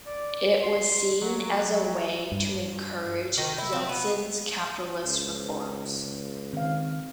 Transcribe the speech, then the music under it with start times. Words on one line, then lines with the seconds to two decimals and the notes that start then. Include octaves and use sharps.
It was seen as a way to encourage Yeltsin's capitalist reforms.
0.07 D5
0.63 C6
1.22 F#3
2.32 G2
3.38 D#3
3.58 E4
3.73 C4
3.89 B3
5.04 C#2 C5
6.53 D#3 C4 F5